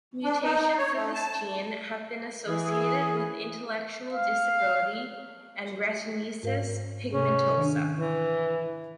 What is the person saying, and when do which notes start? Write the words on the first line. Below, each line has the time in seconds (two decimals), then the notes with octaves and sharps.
Mutations in this gene have been associated with intellectual disability and retinitis pigmentosa.
0.24 D4
0.43 D#4
0.78 C#5
0.95 A3
1.14 A5
2.47 E3 G#4
4.13 F5
6.43 G#2 A#4 F5
7.11 C3 C#4 G#4
7.57 D#3 D4
7.97 E3